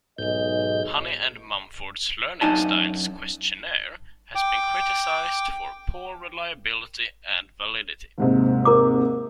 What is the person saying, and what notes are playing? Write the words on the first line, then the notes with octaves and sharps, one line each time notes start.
Honey and Mumford's learning styles questionnaire has been criticized for poor reliability and validity.
B1 G#2 G#4 D#5 G6
F#2 D4 D#4 G#5 A5
G5 D6
D#2 G#2 C3
A#4 A#5 D6